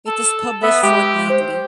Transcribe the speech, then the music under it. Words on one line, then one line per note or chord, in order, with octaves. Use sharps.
It is published fortnightly.
A4
B3 E5
G#3 G4
C5